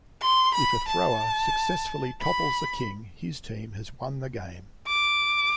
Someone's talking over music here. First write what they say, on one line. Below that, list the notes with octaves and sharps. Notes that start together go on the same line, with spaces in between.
If a thrower successfully topples the king, his team has won the game.
C6
B5
A5
B5
D6